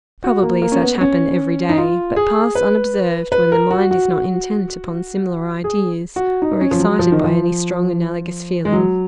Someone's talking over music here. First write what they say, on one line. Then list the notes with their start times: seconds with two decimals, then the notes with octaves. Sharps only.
Probably such happen every day, but pass unobserved when the mind is not intent upon similar ideas, or excited by any strong analogous feeling.
0.24 F#4
0.42 A#3
0.62 A#3
0.72 C#4
0.82 B3
0.95 B3
1.01 C#4
1.69 D#4
1.78 F4
2.16 G#4
2.55 B4
3.32 B4
3.52 A#4
3.71 F#4
3.91 F#4
5.64 G#4
6.16 F#4
6.42 D#4
6.61 C#4
6.71 F3
6.80 F#3
6.99 F3
7.12 D#3
7.24 F3
8.65 G#3
8.72 F#3